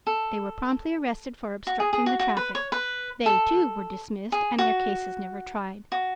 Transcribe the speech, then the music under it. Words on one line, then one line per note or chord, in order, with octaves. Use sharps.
They were promptly arrested for "obstructing the traffic." They, too, were dismissed and their cases never tried.
A4
F#4
G#4
G#4
F#4
F#4
B4
C#5
B4
A4
G#4
F#4
F#4